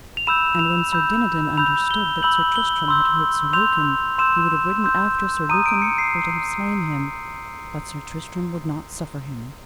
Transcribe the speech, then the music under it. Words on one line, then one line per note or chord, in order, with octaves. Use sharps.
And when Sir Dinadan understood that Sir Tristram had hurt Sir Lucan he would have ridden after Sir Lucan for to have slain him, but Sir Tristram would not suffer him.
F7
B5 E6 G6 E7
F7
B5 E6 G6
B5 E6 G6 F7
G7
B5 E6 G6 F#7
G7
C6 E6 G6
C6 E6 G6 F7
C6 E6 G6 E7
C6 E6 G6
A#5 D#6 G6 D#7
D7
C#7
C7